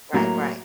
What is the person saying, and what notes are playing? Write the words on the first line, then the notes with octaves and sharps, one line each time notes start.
Right, right.
A2 F#3 A#3